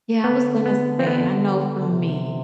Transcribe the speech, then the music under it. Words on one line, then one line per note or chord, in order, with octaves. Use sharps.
Yeah, I was gonna say, I know from me
D3 B3
B3
C4
B3
D3
C3